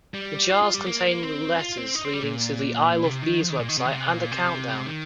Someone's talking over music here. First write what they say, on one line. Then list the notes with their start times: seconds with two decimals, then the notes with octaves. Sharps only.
The jars contained letters leading to the I Love Bees website and a countdown.
0.14 G3
0.50 F4
0.62 F4
0.74 G3
0.86 A#3
1.23 C4
1.59 F4
1.78 C4
1.95 D#4
2.05 C4
2.13 G3
2.23 A#2
3.04 C3
3.22 D#3
3.41 F3
3.50 D#3
3.59 A#2
3.69 D#3
3.78 C3
3.85 D#3
3.93 C3
4.13 A#2
4.31 C3
4.86 D#3